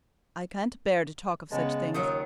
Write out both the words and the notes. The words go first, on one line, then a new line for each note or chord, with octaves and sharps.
I can't bear to talk of such things.
C#3 G#3 B3 A5
D#2 D#3 F#3 D4 F4 D#6